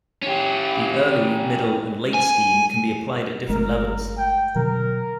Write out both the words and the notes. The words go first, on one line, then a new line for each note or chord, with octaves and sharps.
The "Early", "Middle" and "Late" scheme can be applied at different levels.
C#4 G4
G#5
G1 G#3 A3 A#4
G5
B2 D3 F#3 A#4